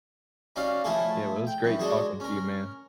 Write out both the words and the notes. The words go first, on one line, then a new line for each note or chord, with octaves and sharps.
Yeah, well, it was great talking to you, man.
C#4 D#4 F#4 D5 F5
F3 A3 E4 F4 G#4 A4
G5
F#2 E3
G#3 D4 F#4 G#4
C#4 A#4